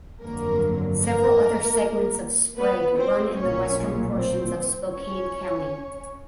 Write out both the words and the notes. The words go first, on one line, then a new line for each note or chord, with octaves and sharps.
Several other segments of Sprague run in the western portions of Spokane County.
G1 F2 D3 F#3 A#3 A#4
A#3 A#4
B3 B4
C4 C5
B1 A#2 F#3 C#4 C#5
C4 C5
C#4 C#5